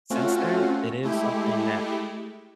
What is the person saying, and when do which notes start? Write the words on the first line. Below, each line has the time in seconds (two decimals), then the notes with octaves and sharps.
since then, it is something that
0.10 A3 C4 C#4 F4 F#4
1.03 G#3 A3 E4 G4